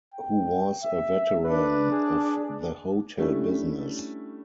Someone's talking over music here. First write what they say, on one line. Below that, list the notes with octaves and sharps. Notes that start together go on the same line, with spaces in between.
Who was a veteran of the hotel business.
G5
E5
D4 B4
G#4
G3 A3 C#4 D4 E4